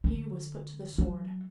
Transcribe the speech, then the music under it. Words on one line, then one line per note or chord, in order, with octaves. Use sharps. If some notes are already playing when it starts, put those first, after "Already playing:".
He was put to the sword.
D3
F#3